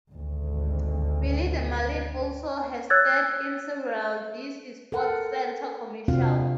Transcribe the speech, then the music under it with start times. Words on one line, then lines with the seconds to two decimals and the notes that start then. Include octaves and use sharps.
Billy the Marlin also has starred in several This is SportsCenter commercials.
0.12 G#1 D2
2.90 C#5 E6 F#6 G#6 A6
4.92 A4 A#4 F#5
6.08 C3 C4 D4 F4 F#4 F5